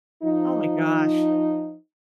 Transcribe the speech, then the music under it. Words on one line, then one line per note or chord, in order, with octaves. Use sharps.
Oh my gosh.
F3 D#4